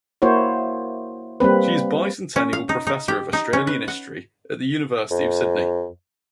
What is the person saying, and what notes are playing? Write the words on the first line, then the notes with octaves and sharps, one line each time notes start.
She is Bicentennial Professor of Australian History at the University of Sydney.
A#3 E4 F#4 C5 C#5
G3 A#3 C4 B4
C#4
F5
D#4
D#4
G4
D#4
C#4
B4
F#5
F2